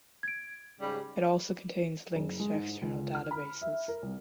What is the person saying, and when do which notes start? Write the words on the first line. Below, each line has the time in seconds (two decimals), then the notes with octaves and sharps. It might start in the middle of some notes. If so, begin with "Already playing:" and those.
It also contains links to external databases.
0.23 G#6 D7
0.80 G#2 C#3 G3
2.15 F#1
2.39 G#3
2.54 G#2
2.81 C#2
3.15 F6
3.31 B5
3.61 E5
3.88 A#4
4.02 C2